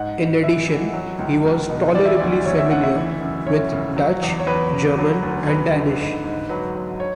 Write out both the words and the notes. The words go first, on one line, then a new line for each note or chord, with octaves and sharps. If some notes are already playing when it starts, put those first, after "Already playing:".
In addition, he was 'tolerably familiar' with Dutch, German and Danish.
Already playing: G#2 F#5
G#2
E3 E5
E3
F#3
C#2
C#2
B2
E3 D5
E5
D2 D5
D2 C#5
E5
C#3 F#5
E5
E3
F#2
F#2 C#5
C#3
F#3
E2
C#5
E2 B4
C#3
F#3
D2
D2 B4
D3
G#2
G#2
F#3 B4
F#3
C#5